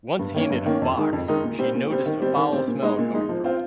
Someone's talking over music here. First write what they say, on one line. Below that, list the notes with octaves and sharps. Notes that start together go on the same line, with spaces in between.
Once handed a box, she noticed a foul smell coming from it.
G2
D#3 A#3 C#4
G2
D#3 A#3 C#4
F2
D#3 G#3 D#4 A#4
F2
D#3 G#3 D#4 A#4
A#2
G3 C4
A#2
G3 C4
D#3
G3 C4
D#3
G3 C4
A#2
G#3 D#4
A#2
G#3 D#4
F3
C4 F4